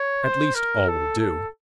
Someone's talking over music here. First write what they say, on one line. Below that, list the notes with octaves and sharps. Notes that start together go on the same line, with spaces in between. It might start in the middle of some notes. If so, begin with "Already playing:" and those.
At least all will do.
Already playing: C#5
C5
A#4
A4
A4